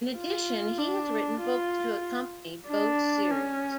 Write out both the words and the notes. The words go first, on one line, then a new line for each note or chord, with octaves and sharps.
In addition, he has written books to accompany both series.
F4
D4
F4
D4
C#4